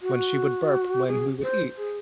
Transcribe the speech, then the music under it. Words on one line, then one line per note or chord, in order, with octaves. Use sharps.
when she would burp, when we would eat,
F#4
G#4
C5
G#4